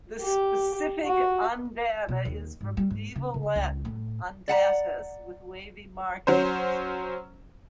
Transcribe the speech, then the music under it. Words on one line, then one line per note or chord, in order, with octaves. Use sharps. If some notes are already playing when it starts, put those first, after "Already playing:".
The specific "undata" is from Medieval Latin "undatus", "with wavy markings".
G4
F#4
B2
D#2
G#2
G3
G#2
C#3
C#3
C#2
A2
D5 F#5 A5 A#5
F#3 C#4 C5